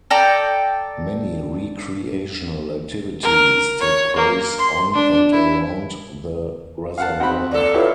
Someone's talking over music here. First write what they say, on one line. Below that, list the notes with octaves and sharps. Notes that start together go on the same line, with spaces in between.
Many recreational activities take place on and around the reservoir.
A4 D5 G5 A#5
A#4
C#5
A#3
C6
D4
E4
F5 F#5 A5
C4 D#4 F#4 F#5 B5
A#2 A4 D5
E4 F4 G4 B4 C#5 F#5